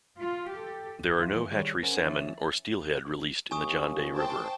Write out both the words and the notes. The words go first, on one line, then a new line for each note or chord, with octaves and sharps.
There are no hatchery salmon or steelhead released in the John Day River.
F4
G4 A4
D2
D#2 E3 F3 E4 F5 C6
E3 G#3 B3
D#3 G3 G#4 C#5 D5
C#4 A#4 C5 F#5 G#5
E3 C#5 E5 A6
D#2 G#5 C#6 D#6
C5 G5 A5